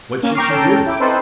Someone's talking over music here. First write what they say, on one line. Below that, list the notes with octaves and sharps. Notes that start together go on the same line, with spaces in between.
What should she do?
A#3 C#4
G5 A#5 C#6 D6 F6 C7
C#4 A4 G5 A5 A#5
E4 G5 D6
C4 D#4 A4 B4 C5